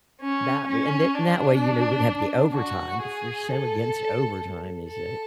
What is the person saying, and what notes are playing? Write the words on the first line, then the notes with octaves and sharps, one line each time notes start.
that way and then that way, you know, we'd have the overtime- 'cause they're so against overtime these days-
C#4
C#4
D4
F#4
G#4
A4
A4